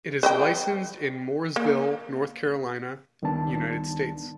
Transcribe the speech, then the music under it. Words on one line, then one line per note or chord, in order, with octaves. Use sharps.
It is licensed in Mooresville, North Carolina, United States.
B4 D#5 G5
A#3
C#2 D#3 G3 B3 D4 A5